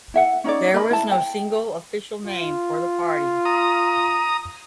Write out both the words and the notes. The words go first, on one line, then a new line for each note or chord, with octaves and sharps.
There was no single, official name for the party.
E4 E5 F#5
C#4 D#4 C#5 D5
A#4 D#5 B5
E4 A5
G5
F4
A#5 D#6